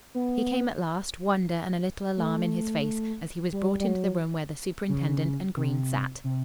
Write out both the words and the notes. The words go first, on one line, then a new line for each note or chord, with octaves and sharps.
He came at last, wonder and a little alarm in his face as he was brought into the room where the superintendent and Green sat.
B3
A3
G3
G3
F#3
C#3
C3
C3